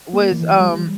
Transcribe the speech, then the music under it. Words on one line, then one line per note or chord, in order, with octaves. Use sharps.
was, um,
A#3
E3
G3